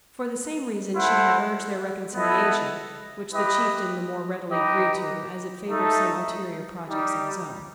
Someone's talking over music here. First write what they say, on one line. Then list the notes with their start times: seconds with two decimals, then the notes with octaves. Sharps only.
For the same reason she had urged their reconciliation, which the Chieftain the more readily agreed to as it favoured some ulterior projects of his own.
0.94 E4 A4 C5 F#5
2.14 B3 E4 A4 D#5
3.32 E4 G4 B4 D#5
4.51 D#4 G4 B4 D#5
5.69 A3 D#4 A4 E5
6.87 G3 D#4 G4